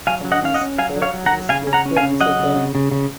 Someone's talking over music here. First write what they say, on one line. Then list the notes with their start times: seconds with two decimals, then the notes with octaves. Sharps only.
Stannis's fate is left uncertain.
0.07 F#3 F5 G#5
0.25 F#3
0.32 D#5 F#5
0.43 C#4 F5
0.54 D#5 F#5
0.61 C#4
0.78 F#3 F5 G#5
0.96 F#3
1.02 C#5 F5
1.14 F#3
1.26 F#5 A#5
1.33 F#3
1.49 C#3 F5 G#5
1.67 C#4
1.73 F#5 A#5
1.86 C#4
1.97 F5 G#5
2.03 C#3
2.21 F#3 D#5 F#5
2.39 C#3
2.56 C#3
2.75 C#3
2.92 C#3